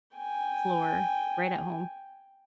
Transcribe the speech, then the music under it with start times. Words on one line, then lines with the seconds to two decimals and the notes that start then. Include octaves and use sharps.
floor right at home.
0.16 G5 G#5